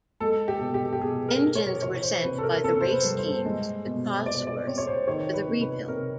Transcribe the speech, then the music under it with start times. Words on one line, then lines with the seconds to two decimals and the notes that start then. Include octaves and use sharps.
Engines were sent by the race teams to Cosworth for the rebuild.
0.20 G#3 A4
0.48 G4
0.61 B2
0.74 G4
0.93 G4
1.01 B2 G#4
1.29 A#4
1.42 B3
1.55 C#5
1.82 E3 C#5
2.03 C5
2.23 C3 B4
2.38 A4
2.43 A#4
2.63 C3 A4
2.81 C5
2.91 B4
3.04 G3
3.18 C5
3.45 G#3
3.86 B2
4.26 B2 D5
4.47 D5
4.67 C4 C#5
4.78 C#5
4.87 C5
5.07 D#3 C#5
5.34 B4
5.48 C3
5.61 B4
5.88 C3 A#4